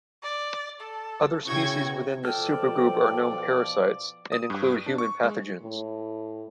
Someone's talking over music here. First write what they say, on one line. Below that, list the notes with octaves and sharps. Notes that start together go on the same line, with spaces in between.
Other species within this supergroup are known parasites, and include human pathogens.
D5
A4 A5
C#3 E4 F#4 G5 C#6 G#6
B2 F3 A4 D5 G5 F6
D#6
G2
D4
C#6
G#3
A2